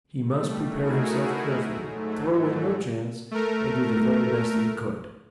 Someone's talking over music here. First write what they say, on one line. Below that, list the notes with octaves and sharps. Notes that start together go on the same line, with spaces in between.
He must prepare himself carefully, throw away no chance, and do the very best that he could.
B2 G3 A3
A3 D#4 E4 F#4 G#4 A#4
G#2 F#3 A3
A3 A#4